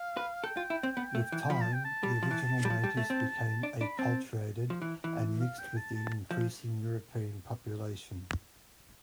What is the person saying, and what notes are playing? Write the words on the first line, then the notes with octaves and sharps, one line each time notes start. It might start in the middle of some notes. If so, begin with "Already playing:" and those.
With time the original natives became acculturated and mixed with the increasing European population.
Already playing: F5
B4
A4 G5
F4
E4
C4
B3
A3
E3
F3 B5
A5
G5
A5
G3
F3
E3
G3
F3
G3
A3
C4
D4
D4 B5
C4 A5
F3
E3
E3
F5
G5
A5
A5
F3